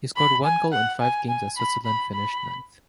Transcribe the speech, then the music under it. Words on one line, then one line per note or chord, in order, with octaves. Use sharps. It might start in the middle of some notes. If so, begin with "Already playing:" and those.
He scored one goal in five games as Switzerland finished ninth.
B5
G#5
F#5
G#5
G#5
B5
B5
B5